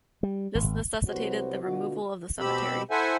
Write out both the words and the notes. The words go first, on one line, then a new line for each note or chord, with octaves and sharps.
This necessitated the removal of the cemetery.
G3
G#1
C2 C3 F#3 F#4 B4 C5
B2 D3 F4 F#4
B2 C4 G4 B5 E6
E4 A4 C5 E5 F#5 G#5